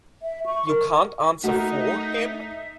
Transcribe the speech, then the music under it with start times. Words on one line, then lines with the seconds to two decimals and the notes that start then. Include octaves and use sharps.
You can't answer for him?
0.22 E5
0.46 C#6
0.69 A#4
1.44 A3 D#4 F#4 A#4 D#5 E5